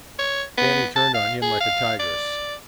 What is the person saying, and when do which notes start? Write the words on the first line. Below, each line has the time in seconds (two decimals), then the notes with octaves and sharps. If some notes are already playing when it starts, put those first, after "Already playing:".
Fannie turned on him like a tigress.
0.19 C#5
0.58 B3
0.96 A5
1.14 F5
1.42 G#4
1.60 F5
1.99 D5